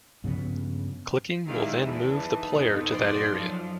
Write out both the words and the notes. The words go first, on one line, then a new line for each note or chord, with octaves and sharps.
Clicking will then move the player to that area.
G2 C#3 F3 B3
D#3 G3 G#3 E4 E5 F5 G5
E2 B4 A5
E3 D#4 A4
F2 B2
D5 C6
F#2 F3